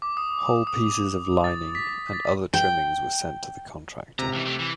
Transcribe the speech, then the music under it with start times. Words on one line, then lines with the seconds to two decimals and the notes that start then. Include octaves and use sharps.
Whole pieces of lining and other trimmings were sent to the contractor.
0.02 D6
0.17 D#6
0.67 D#6
1.44 A6
1.75 B6
2.13 A6
2.54 G5
4.19 C3 A#5
4.32 C#2 E3
4.46 A3 G4
4.59 E3